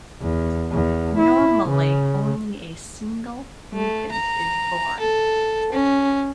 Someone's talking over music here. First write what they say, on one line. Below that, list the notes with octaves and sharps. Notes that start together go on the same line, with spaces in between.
Normally, only a single infant is born.
E2
E2
E4
C#3
A3
A#5
A4
C#4